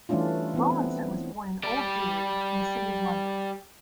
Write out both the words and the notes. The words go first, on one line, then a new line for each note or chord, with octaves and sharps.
Rowlandson was born in Old Jewry, in the City of London.
E3 G3 A3 C#4 D4 F4
E3 B3 C4
C4
G3 D5